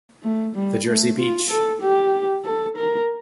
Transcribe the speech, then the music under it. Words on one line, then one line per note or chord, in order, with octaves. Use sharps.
The Jersey beach!
A3
G3
A3
F4
A4
G4
A4
A#4